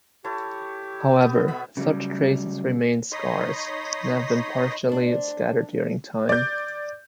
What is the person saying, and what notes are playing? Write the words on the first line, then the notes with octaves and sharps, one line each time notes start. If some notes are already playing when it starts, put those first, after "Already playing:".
However, such traces remain scarce and have been partially scattered during time.
E4 G4 A4 C#5
B3
B2 B3 A4 E5 B5
C#3 F#3 G3
D#4 C#5 D#5 B5 C6 D#6
C4 D4
D5 G6